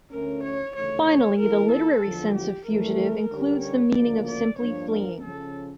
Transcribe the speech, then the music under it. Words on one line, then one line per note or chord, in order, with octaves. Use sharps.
Finally, the literary sense of "fugitive" includes the meaning of simply "fleeing".
D2 D3 A3 C#4 A#4
C#5
D2 C#3 E3 A3 C#5
C#5
E3 A#3 E4 A#4
A4
E2 D3 F3
G4
F2 E3 A3 A#4
D3 G3 C#4 G4
C#5
D2 C#3 F3 A#3 D5
D5
G2 F3 A#3 D4 C#5
A#4
C#3 F3 C#4 A4